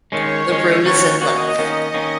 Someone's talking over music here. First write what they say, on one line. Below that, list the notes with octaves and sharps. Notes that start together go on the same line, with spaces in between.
The road is in length.
D#3 G#3 C#4 C#5
D#3 G#3 C#4
D#3 A#3 C#4 F#4
D#3 A#3 C#4 F#4 D#5
D#3 A#3 C#4 D#5
D#3 A#3 C#4